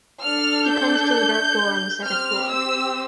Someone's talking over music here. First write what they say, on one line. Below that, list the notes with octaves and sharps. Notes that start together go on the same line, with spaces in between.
He comes to the dark door on the second floor.
D4 A4 F6
G6
C4 G4 F6
E6